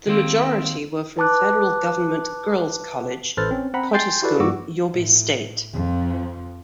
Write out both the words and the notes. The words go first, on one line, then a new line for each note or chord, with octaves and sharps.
The majority were from Federal Government Girls' College, Potiskum, Yobe State.
D#3 A#3 C4
B4 A5 D6 F#6
A1 A4 B4 C5 F6 A6
C4 C#4
C4 F#5 A#5 B5
G5 G#5 C6 G6 A6 C7
E4 F#4 G4 A4 B4 D5
G2 G3 A#3 F#4 D6 E6
A2
F2 F3